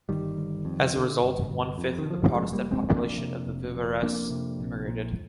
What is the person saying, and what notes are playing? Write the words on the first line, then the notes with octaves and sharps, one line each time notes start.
As a result, one-fifth of the Protestant population of the Vivarais emigrated.
G1 D#3 G3
G1
F2
D3
G1
G1
F2
D#3
D3
F3
G3
F1 F3 G#3
G3 A#3
F1
G#3 C4
F2 A#3 D4
C3
F1
F1
F2 A#3 D4
C3
A#1
A#2